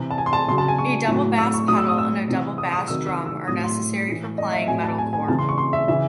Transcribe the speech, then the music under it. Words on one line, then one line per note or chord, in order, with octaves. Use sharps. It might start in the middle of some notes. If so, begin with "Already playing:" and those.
A double bass pedal and a double bass drum are necessary for playing metalcore.
Already playing: C3 E3
A5
G#5
C6
A5
C#3 F#3 C6
A5
G#5
C#6
A2 F#3
E6
C#6
A2 F#3 D#6
E6
D#6
E6
C3 E3
D#6
D#6
C3 D#3 F#3 E6
E6
E6
A2 F#3 D#6
C6
A2 E3
D#5
E5
A2 F#3 G#5
A5
G#5
G#5
C#3 E3 A5
C6
C#6
C6
E5
C#3 E3 E5